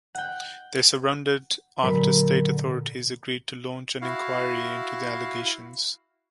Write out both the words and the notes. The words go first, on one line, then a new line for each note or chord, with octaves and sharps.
They surrendered after state authorities agreed to launch an inquiry into the allegations.
F#5 G5
A#2 D3 F#3 A#4 B5
E4 F#4 F5